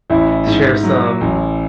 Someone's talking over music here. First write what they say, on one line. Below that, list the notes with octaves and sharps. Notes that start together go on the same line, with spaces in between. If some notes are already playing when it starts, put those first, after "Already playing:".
share some
A1 E4
G#2
F#3
A1